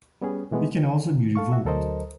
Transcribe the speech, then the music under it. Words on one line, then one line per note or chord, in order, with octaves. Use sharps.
It can also be revoked.
G3 B3 C#4 G#4
B2 E3 G#3 A3 B3
D#3
A4 F5 C#6
F#4 E5
D2 F#3 A4 A#4 C5 D#5